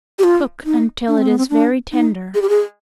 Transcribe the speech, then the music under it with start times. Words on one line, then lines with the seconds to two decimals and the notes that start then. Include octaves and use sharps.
Cook until it is very tender.
0.19 G4
0.24 F4
0.66 D#4
1.08 D4
1.18 C4
1.28 B3
1.38 C4
1.50 D4
1.92 D#4
2.35 G#4
2.42 G4
2.49 G#4